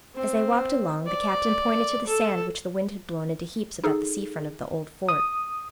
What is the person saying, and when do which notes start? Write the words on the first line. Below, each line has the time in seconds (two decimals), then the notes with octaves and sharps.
As they walked along the Captain pointed to the sand which the wind had blown into heaps about the sea-front of the old fort.
0.15 C4
1.07 D5
2.07 A4
3.84 D#4 G#4 A4
5.09 D#6